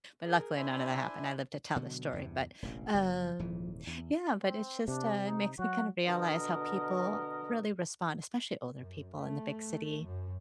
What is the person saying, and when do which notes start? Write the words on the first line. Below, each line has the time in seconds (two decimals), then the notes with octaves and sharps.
But, luckily none of that happened, I lived to tell the story, but, um Yeah, but it's just, uh, it makes me kind of realize how people really respond, especially older people in the big city.
0.23 G#4 A#4
0.56 D4 E4 C5 E5 G#5
1.76 B2 D3 F#3
2.13 E2 G2 C3
2.62 E1 A1 C#3
2.94 F#1 F#3
3.39 D#1 G#2 E3
3.87 E2
4.43 C4
4.88 C3 D4
5.26 D#4
5.59 F#3 F#4
6.06 B2 D3 A#4 D#5
8.77 F#2
9.18 A3
10.03 F#2